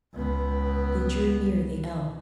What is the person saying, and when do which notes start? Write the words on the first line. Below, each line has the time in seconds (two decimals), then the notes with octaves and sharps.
They drew near the elm.
0.14 C#2 B3